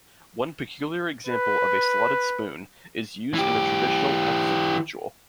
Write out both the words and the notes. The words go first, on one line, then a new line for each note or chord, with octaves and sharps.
One peculiar example of a slotted spoon is used in the traditional absinthe ritual.
B4
E3 G4